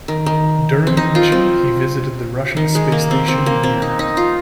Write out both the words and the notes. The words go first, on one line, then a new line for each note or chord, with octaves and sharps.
During the mission he visited the Russian space station Mir.
D#3
D#3
C4
D#4
F4
C4
D#3
G#3
A#3
C4
C4
A#3
C4
D#4
D#4
F4